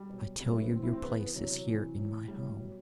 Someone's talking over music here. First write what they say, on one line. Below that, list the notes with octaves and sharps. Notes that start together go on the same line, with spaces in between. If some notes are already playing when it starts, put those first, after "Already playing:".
I tell you, your place is here in my home.
Already playing: G3
B2 F#3
C3 F#3 G3
A3
B3
A2 E3 C4
E4
C4
C3 E3 B3
B3
C3 E3 F#3
F#3
C3 E3
A2 E3
A2 F#3 G3
B2 F#3